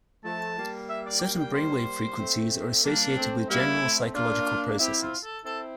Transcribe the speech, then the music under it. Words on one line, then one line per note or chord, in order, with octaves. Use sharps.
Certain brainwave frequencies are associated with general psychological processes.
F3 A3 A5
G3 A#3
E5
D5
G5
G5
C5
A3 C4
G3 A#3 D4
A3 C4
G3 A#3 E4
A3 C4
A#3 D4 F4
C4 E4 G4
F4
A4
C4 E4 A4